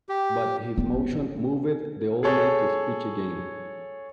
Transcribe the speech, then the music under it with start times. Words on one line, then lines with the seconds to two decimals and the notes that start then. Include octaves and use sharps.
But his motion moved the old man to speech again.
0.09 G4
0.78 B3
2.23 G#4 A4 C#5